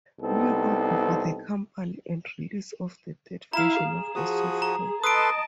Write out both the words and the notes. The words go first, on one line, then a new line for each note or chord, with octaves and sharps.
New logo for the company and release of the third version of the software.
C2 B3 C4 D#4 A4
E4 F5 A#5 E7
G#4
F3 F#4 D#6
A#5
A4 B4 D#5 A5 C6 D#6 D7